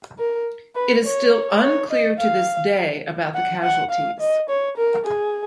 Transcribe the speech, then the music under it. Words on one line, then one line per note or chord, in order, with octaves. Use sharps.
It is still unclear to this day about the casualties.
A#4
B4
C#5
C#5
D#5
F5
F#5
F#5
F5
D#5
C#5
A#4
G#4